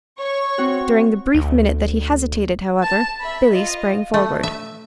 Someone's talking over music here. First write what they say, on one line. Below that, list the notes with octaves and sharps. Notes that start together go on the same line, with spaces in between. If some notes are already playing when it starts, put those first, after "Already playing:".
During the brief minute that he hesitated, however, Billy sprang forward.
C#5 C#6
C4 F#4
D2
A5
E5 B5
F4 D#5
A3
E5